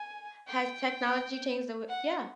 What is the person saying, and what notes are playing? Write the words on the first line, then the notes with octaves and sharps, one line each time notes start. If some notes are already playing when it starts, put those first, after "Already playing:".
Has technology changed the way Yeah.
Already playing: G#5
G5
F#5